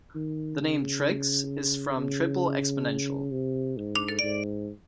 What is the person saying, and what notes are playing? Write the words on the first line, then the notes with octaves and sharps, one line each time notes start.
The name Trix is from triple exponential.
D#3
C#3
C#3
C3
G#2
G#2